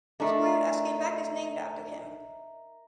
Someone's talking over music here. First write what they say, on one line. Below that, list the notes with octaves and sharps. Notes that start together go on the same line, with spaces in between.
A square in Esquelbecq is named after him.
A3 D4 A#4 D#5 E5 A#5